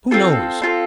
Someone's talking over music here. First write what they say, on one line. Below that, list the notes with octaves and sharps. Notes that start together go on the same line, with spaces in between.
Who knows!
C4 F4 A4
C4 F4 A4